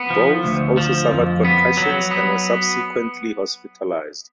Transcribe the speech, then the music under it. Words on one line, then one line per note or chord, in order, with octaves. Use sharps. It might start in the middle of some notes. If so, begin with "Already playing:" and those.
Both also suffered concussions and were subsequently hospitalized.
Already playing: B3
F3
D2
F3
F2
B3
F#3
B3